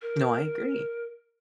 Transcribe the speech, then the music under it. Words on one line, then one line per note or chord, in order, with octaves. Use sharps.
No, I agree.
A#4